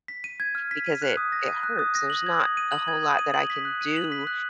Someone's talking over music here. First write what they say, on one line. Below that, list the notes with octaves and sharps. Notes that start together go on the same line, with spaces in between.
because it it hurts. There's not a whole lot that I can do
B6
D#7
G#6
F6
B6
D#7
F#6
D#6
A#6
D#7
F#6
D#6
A#6
F#7
G#6
D#6
D#7
F#7
G#6
D#6
D#7
F#7
B6
F#6
D#7
F#7
B6
F#6